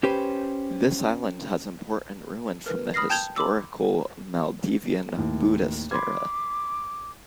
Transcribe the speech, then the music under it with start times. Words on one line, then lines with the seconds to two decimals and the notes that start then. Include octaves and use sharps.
This island has important ruins from the historical Maldivian Buddhist era.
0.03 C#4 G4 B4 C5
2.66 A#4 B4
2.94 B5 D#6 F6 A#6 C7
3.10 G5 A5 G6 G#6 F7 G7
3.36 B5 C6 D6 E6
5.17 D#2 A2
5.91 B5 C6 D6 G#6